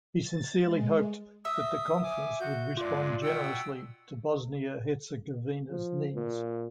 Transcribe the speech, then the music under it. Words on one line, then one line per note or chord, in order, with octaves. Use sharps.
He sincerely hoped that the Conference would respond generously to Bosnia-Herzegovina's needs.
A6
G#3
E5 D#6
G#5 D6
F#4 G6
G2 G#3 F4 D5 D6
B2 F#5 G5 E6
F3
A#2